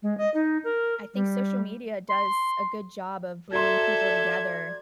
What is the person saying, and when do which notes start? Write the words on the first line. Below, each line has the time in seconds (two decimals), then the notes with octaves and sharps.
I think social media does a good job of bringing people together
0.03 G#3
0.18 D#5
0.34 D#4
0.64 A#4
1.14 G3
2.10 C6
3.52 F#4 A4 D5 E5 A#5 C6 G#6